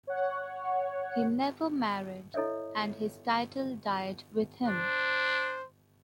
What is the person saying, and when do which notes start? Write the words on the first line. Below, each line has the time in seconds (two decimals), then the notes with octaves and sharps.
He never married, and his title died with him.
0.07 C#5 F#5
2.34 E4 A4 C#5 D#5 E5
4.67 D4 C5